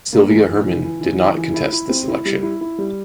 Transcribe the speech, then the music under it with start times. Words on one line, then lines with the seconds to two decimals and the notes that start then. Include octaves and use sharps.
Sylvia Hermon did not contest this election.
0.13 A#3
0.30 E3
0.48 E3
0.67 E3
0.84 E3
1.01 E3
1.19 E3
1.37 E3
1.54 E4
1.72 E4
1.89 C4
2.08 E4
2.25 G3
2.43 E4
2.61 E4
2.78 G3